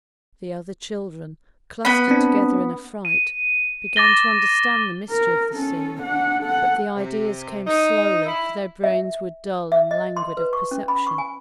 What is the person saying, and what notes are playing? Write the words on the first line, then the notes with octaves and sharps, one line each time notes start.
The other children, clustered together in affright, began to understand the mystery of the scene; but the ideas came slowly, for their brains were dull and languid of perception.
B3 B5
C4 D4
D#7
D6 A6 A#6 G7
A#4
C#4 A4
D4 F#5
A4 F#5
C3
D#4
E4
E5
E5
D#5
C6
B4
C#6
C#4
B5
C#6
G#5